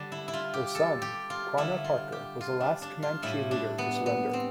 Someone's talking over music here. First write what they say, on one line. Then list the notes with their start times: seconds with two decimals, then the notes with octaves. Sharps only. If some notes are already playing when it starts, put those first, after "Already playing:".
Her son Quanah Parker was the last Comanche leader to surrender.
Already playing: D3 G3 D4
0.12 E4
0.28 E4
0.33 F4
0.54 G4
0.75 A4
1.02 G4
1.30 F4
1.58 D3 G3 E4
1.84 F4
2.12 G4
2.41 F4
2.60 D4
2.82 D4
3.03 F4
3.22 A2 G3 E4
3.51 D4
3.78 B3
4.06 B3
4.33 C4